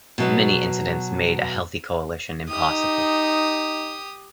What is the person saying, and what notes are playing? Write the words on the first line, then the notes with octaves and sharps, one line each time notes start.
Many incidents made a healthy coalition impossible.
B2 F#3 B3
D#4 G4 D#6